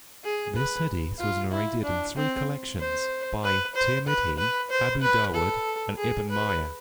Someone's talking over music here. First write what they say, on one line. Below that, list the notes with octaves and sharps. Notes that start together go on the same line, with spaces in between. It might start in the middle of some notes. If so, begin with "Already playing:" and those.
This hadith was narrated in three collections by Tirmidhi, Abu Dawood, and Ibn Majah.
G#4
B4
F4
E4
D4
C4
C5
B4
C5
B4
B4
C5
B4
A4
G#4
B4